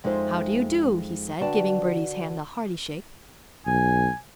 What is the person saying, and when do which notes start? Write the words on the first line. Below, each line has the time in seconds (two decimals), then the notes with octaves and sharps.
"How do you do?" he said, giving Bertie's hand a hearty shake.
0.04 F2 G#3 D#4 A4 C5 E5
1.41 D3 F#4 B4 D5 G5 A5
3.67 B1 G#5